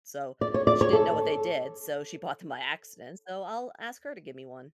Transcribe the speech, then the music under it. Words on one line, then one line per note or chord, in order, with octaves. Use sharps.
so, she didn't know what they did, so she bought them by accident. So I'll ask her to give me one.
D5
C#5
D5
C#5
A4